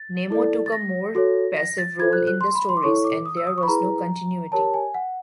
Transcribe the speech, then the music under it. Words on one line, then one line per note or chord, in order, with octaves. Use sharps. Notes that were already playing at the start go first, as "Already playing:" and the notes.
Nemo took a more passive role in the stories, and there was no continuity.
Already playing: A6
E4 A4 D5
A6
A#6
F#4 A4 C#5
A#6
A6
F4 A4 C5 G#6
F#6
F#6
C6
B5
C6
D6
E4 A4 C#5 C#6
D6
D#6
E6
D#6
C#6
B5
E4 G#4 B4 A#5
G4 A#4 C#5 A5
G#5
F#5